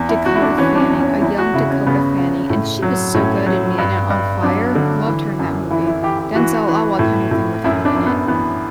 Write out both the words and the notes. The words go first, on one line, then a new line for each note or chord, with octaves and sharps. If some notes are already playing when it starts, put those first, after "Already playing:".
Dakota Fanning, a young Dakota Fanning, and she was so good in Man uh, On Fire, loved her in that movie, Denzel, I'll watch anything with him in it,
Already playing: E2
E4
E2 F#4
E4
D4
E3 C#4
D4
C#4
E2
C#4
E2 E4
F#4
C#3 E4
C#4
C#3 B3
C#3
A2
F#3
A2 C#4
F#3
G2
G2
F#3 D4
D3
E3
F#2
E3 E4
E4
E3 G4
G4
E3 F#4
E3
A2
A2
F#2 E4
D4
F#2
B3
E3 B3